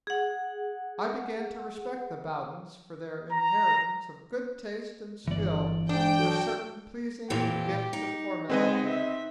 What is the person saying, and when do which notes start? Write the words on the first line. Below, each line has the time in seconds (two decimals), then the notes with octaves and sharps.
I began to respect the Bowdens for their inheritance of good taste and skill and a certain pleasing gift of formality.
0.07 G#4 F#5
3.32 A#5
5.27 G1 E3 D5
5.89 G#2 D4 G5
6.18 F#3 F#4 A4
7.30 F2 A#2 E3 G4
7.93 D#4
8.50 G#3 B3 C4 B4 D#5
8.85 E5